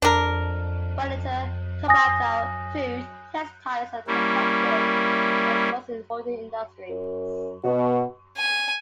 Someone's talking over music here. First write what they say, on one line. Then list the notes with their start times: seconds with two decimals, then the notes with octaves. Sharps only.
Furniture, tobacco, food, textiles and construction are its most important industries.
0.02 D4 A#4
1.88 G#5 D#6 A#6
4.07 G3 A#3 C#4 E4
6.89 F#2
7.64 B2 F#4
8.37 G#5